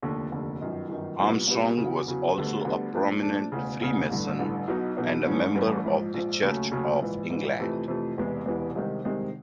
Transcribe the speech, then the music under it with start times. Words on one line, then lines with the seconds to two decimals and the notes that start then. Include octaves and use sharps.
Armstrong was also a prominent freemason, and a member of the Church of England.
0.02 F1 D#2 D3
0.32 F1 D#2 D3
0.61 G1 F#2 D#3
0.89 G1 F#2 D#3
1.19 C2 A#2 G3 B3
1.48 C2 A#2 G3 B3
1.77 E2 C#3 F#3
2.06 E2 C#3 F#3
2.35 D2 D3 G3 B3
2.64 D2 D3 G3 B3
2.93 A#2 F3 A3 D4
3.22 A#2 F3 A3 D4
3.52 E1 D2 C#3
3.81 E1 D2 C#3
4.10 A1 G2 D3
4.39 A1 G2 D3
4.68 B1 B2 F#3 B3 D#4
4.97 B1 B2 F#3 B3 D#4
5.26 A1 G2 E3 A3 C#4
5.55 A1 G2 E3 A3 C#4
5.84 A#1 G#2 F3
6.14 A#1 G#2 F3
6.42 D#2 C#3 F#3 A3 C#4
6.71 D#2 C#3 F#3 A3 C#4
7.00 A#1 G#2 E3
7.30 A#1 G#2 E3
7.58 F2 C3 E3 A3
7.88 F2 C3 E3 A3
8.17 E1 E2 C3 E3 G#3
8.46 E1 E2 C3 E3 G#3
8.75 C2 C3 D#3 G#3 C4
9.04 C2 C3 D#3 G#3 C4